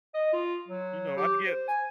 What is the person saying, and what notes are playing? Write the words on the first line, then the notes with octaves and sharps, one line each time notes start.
you know, I'd get
D#5
F4
F#3
G4
C5
G#5